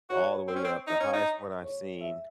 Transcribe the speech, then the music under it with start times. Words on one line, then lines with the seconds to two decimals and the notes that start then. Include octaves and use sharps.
all the way up the highest one I've seen
0.10 F#4 C#5
0.48 C4
0.56 C#4
0.64 C4
0.87 D#4
1.00 C#4
1.13 D#4
1.62 C#5
2.01 E5